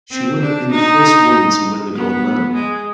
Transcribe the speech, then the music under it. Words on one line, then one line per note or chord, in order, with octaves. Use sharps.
She would have been the first woman to win the gold medal.
C4
D4
D#4
B3
G#3